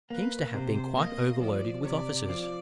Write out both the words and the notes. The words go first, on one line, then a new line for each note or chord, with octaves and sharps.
He seems to have been quite overloaded with offices.
A#3 B4
C3 C5
A#3 D#5
F3 D5
C3 D5
F3 D5